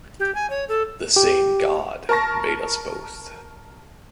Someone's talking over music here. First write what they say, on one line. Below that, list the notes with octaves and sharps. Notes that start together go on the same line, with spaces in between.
The same god made us both.
G4
G#5
C#5
A4
G4
A#4 A5 C#6 A#6